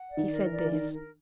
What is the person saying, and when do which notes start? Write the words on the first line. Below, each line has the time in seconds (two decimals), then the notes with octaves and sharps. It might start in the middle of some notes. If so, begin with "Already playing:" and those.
He said this.
Already playing: F#5
0.11 D5
0.17 D#3
0.32 A#4
0.45 E3
0.52 D5
0.65 E3
0.72 D#3 A#4
0.92 A#4